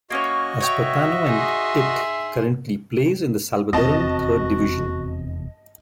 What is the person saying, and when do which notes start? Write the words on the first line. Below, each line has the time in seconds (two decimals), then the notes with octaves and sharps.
Espartano and it currently plays in the Salvadoran Third Division.
0.10 A#3 C#4 F#4 C#5 D#5
0.60 C#5 E5 G5
1.26 D#4 G#4 C6
3.73 F1 E2 C4 F#4 D#5 A5